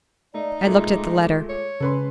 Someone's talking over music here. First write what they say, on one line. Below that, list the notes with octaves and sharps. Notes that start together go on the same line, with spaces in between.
I looked at the letter.
A3 D#4 D5
A#2 G#3 A3 A4
C#5
C#3 C#4 A4 B4 C6